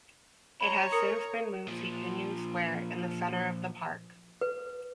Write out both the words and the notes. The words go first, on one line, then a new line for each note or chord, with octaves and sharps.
It has since been moved to Union Square in the center of the park.
C#5 A#5 B5
A#4 D#6 C#7
A#2 F3
B4